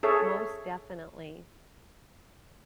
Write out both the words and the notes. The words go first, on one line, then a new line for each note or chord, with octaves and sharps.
Most definitely.
G#4 A4 C#5 E5